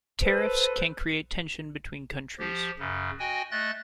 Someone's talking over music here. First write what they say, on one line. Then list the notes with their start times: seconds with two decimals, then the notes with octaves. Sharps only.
Tariffs can create tension between countries.
0.20 A4 B4 C5
2.39 F3 G4
2.79 F#2 C#3
3.19 F#4 D#5 G5 G#5
3.51 A3 D#5 F#6 A6